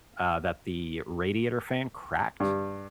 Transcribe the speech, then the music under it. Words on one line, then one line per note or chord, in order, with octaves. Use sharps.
uh, that the radiator fan cracked,
G2